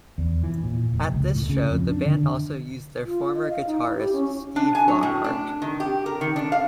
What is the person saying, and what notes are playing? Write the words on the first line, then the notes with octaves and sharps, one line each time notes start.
At this show the band also used their former guitarist Steve Lockhart.
E2
E3
A#2
F1
C#2
A2
C#3
F2
D4
D3
F4
D#5
F5
D#4
E4
G4
C#4
D4
G#5
F#3
A2
D4
D#3
G4
A#4
D#3
D4
F5